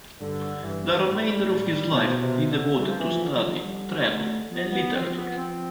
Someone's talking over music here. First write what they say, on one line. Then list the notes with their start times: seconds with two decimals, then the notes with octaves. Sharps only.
The remainder of his life he devoted to study, travel and literature.
0.20 G2 D3
0.63 G2 E3
1.06 A2 G3
1.92 B2 F3
2.21 C3
2.50 D3
2.79 E3 G3
2.88 F3
2.99 E3
3.07 F3
3.21 D3
3.36 F3
3.64 G3
4.08 A3
4.51 F3 B3
4.72 B3
4.94 F3 C4
5.15 B3
5.37 C4